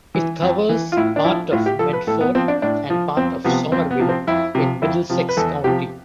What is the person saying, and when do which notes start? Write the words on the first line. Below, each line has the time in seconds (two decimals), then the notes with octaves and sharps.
It covers part of Medford and part of Somerville in Middlesex County.
0.15 E3
0.42 F2
0.69 E3
0.92 F4
0.97 A2 E4
1.16 D4
1.24 F3 E4
1.52 A2 F4
1.66 G4
1.79 F3 A4
1.93 B4
2.07 A2 A4
2.21 B3
2.35 F3 C4
2.48 D4
2.62 A2 D4
2.90 F3
3.17 F2 C4
3.44 C3 F3 B3
3.72 F2 C4
3.91 B3
4.00 C3 F3
4.09 C4
4.27 F2 E4
4.55 C3 F3
4.82 F2 E4
5.10 C3 F3
5.29 B4
5.37 E2 A4
5.64 C3 F3 G4